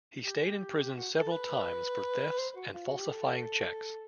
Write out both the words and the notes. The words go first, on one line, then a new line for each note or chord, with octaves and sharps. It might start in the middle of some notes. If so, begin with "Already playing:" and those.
He stayed in prison several times for thefts and falsifying checks.
G4
G#4
G4
F#4
A4
B4
C5
F#4
F4
F#4
G4
A4